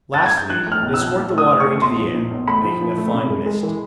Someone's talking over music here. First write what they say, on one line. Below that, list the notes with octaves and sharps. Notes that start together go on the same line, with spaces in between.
Lastly, they squirt the water into the air, making a fine mist.
A6
G#6
G6
F3 F#6
A3 F#6
F6
B1
E6
F3
A#2
A3
D#6
A3
C#6
A3
B1 C6
F3
A#2
B1
A3 B5
F3
F3
A3
C3
G#3
G#3
E3